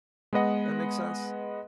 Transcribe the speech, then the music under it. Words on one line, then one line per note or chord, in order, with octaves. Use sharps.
that makes sense?
G#3 B3 B4 D#5 F#5